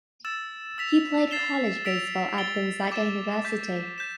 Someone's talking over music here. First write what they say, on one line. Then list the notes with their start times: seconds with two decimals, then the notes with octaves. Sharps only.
He played college baseball at Gonzaga University.
0.25 E6 A6 E7
0.78 E6 B6 F7
1.31 A6 C7 E7 G7
1.85 E6 B6 D7 F7
2.38 A6 D7 G7
2.91 D6 A6 E7
3.45 D6 G6 B6
3.98 G6 B6 E7